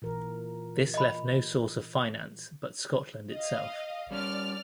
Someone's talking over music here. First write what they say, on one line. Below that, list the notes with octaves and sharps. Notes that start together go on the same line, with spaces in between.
This left no source of finance but Scotland itself.
A#2 E3 A#4
D#5 B5
D#5 F5
G3 C#4 D5 F6